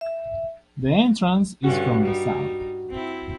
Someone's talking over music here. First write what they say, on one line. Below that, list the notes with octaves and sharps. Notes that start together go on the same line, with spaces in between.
The entrance is from the south.
E5
G2 D3 C#4 F#4
G3 D#4
C4 E4